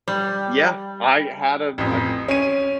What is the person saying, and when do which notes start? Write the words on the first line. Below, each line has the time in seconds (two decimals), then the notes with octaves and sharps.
Yeah, I had a I d
0.08 G3
1.78 A1 F2
2.28 C#4 D#7